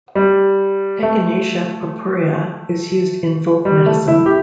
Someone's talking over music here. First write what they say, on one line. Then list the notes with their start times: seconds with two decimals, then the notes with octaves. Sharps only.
"Echinacea purpurea" is used in folk medicine.
0.15 G3
1.03 A3
3.65 G3
3.86 A3
4.08 E4
4.26 G4